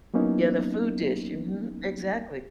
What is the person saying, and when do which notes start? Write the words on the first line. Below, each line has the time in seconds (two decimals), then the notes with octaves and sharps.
Yeah, the food dish. Mhm, exactly.
0.14 F#3 A#3 B3 C#4 D#4 E4